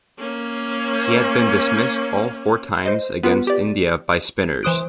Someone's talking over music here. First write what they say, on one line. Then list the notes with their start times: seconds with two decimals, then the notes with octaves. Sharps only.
He had been dismissed all four times against India by spinners.
0.18 A#3 C#4
2.86 C5 D#5
3.23 B3 F4 B4 F#5
3.47 G4 D5
4.63 E3 C5 C6 D#6 F#6 D7